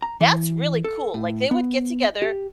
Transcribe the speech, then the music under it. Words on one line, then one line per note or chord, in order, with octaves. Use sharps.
"That's really cool," like, they would get together,
A#5
E3
A4
A2
B3
G4